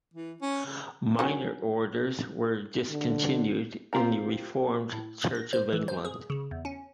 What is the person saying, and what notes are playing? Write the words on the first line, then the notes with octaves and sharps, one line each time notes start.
Minor orders were discontinued in the reformed Church of England.
E3
C#4
C#3
D#3 F#3 C#4
D3
C4 F4 G4 A#4 A#5
A2
D#6
A#6
C5
E3
C5
G#4
C#3
E2
C#4